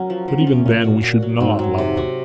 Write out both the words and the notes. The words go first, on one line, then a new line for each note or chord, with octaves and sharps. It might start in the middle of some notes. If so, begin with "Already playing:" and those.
But even then we should not love them.
Already playing: F#3 C#4 A#4
F3
F3
C#3
C#4
C3
A#2 C#4
F#4
F#4
F#3
G#2 C4
F#3
C3
F#4